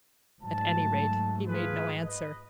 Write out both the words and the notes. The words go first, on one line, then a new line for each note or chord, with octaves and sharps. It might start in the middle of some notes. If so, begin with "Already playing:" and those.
At any rate, he made no answer.
G#2 F#3 A3 A5
F4 G#4 B4
B4 D#5